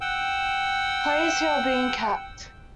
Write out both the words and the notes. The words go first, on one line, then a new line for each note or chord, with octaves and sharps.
"Players who have been capped".
F#5 G5 E6